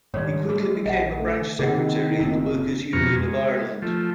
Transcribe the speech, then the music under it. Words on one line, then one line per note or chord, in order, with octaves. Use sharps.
He quickly became a branch secretary in the Workers' Union of Ireland.
G#2 D#3 G3 C#5 D5
G3 A3 G#4
A#1 D#5 E5 F#5
A3
C3 D#3 A#3 C4 G#4 F#5
F#1 A#2 C4
F2 B2 A#5 C#6 F6
G#3
F3 A3